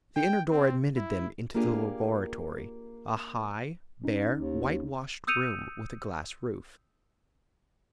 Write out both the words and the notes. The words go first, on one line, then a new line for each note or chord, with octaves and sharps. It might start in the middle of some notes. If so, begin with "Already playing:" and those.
The inner door admitted them into the laboratory, a high, bare, whitewashed room with a glass roof.
G5
C4
E4
A#3 D4 F4 G4 G#4 A#4
C#4 D#4
D#2
D#6 E6 G6 C#7 D#7 F7